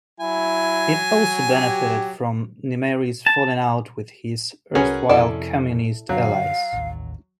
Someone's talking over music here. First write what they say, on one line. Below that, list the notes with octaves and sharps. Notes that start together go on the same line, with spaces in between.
It also benefited from Nimeiry's falling out with his erstwhile Communist allies.
F#3 E4 G#5
G4
A5
C2 C#4 F#4 G#4 A#4 B4 C#5
F2 C3 E4 A4 D5
F#2 D3 F#3 F5
A1 D#2